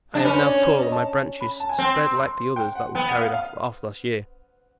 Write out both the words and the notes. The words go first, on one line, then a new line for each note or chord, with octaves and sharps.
I am now tall, and my branches spread like the others that were carried off last year!
D4
C#4 B4
C5
D5
C#5
C5
D5
D#5
A5
B5
A5
G#5
C4 G5
C6
G5
F#5
B3 G5
F#5
F5
F5